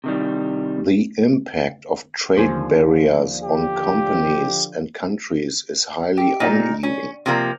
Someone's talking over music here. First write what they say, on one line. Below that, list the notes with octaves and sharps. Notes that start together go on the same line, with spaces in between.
The impact of trade barriers on companies and countries is highly uneven.
C3 D#3 G3
D#2 D3 F3 C5 G#5
G4
G4
A#2 D#4
C#4
C3 F3 A#3